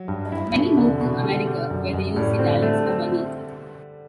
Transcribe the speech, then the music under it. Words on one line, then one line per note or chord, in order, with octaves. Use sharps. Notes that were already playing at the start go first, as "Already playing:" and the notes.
Many moved to America, where they used their talents for money.
Already playing: F#3
G2
E4
B2
C3
E2 D3
B2 E4
D3 G3
G3
F#2
F#2
A2 G3
D3 C4
A3
C4